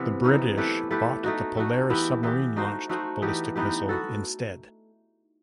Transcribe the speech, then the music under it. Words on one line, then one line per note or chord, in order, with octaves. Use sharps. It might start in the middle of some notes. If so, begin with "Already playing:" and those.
The British bought the Polaris submarine-launched ballistic missile instead.
Already playing: C3 E3 B3
C3 E3 B3 D#4
A3 E4 G4 B4
A3 E4 G4 B4
A3 D#4 F#4
A3 D#4 F#4
E3 B3 E4 G4
E3 B3 E4 G4
A3 D#4 F#4 C5
A3 D#4 F#4 C5
E3 B3 D#4 G4
E3 B3 D#4 G4
B3 F#4 A4